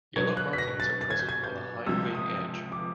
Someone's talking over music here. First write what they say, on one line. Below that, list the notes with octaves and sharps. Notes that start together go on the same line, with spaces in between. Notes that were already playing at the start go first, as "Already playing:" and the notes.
Yellow markings are present on the hindwing edge.
B2 F#3 B3 D4 G#6
F#6
B6
A#6
A6
A6
G#6
G6
G#6
G6
C#2 C3 F3 E6
D#6
D6